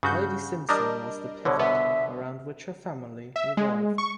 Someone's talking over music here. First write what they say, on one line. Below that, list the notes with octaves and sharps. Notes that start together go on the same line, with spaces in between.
Lady Simpson was the pivot around which her family revolved.
G2 C#3 F#4 G6
G3 D4 A#4 D#5
C2 B2 D3 C#5
B3 E5
E5
G#3
C#6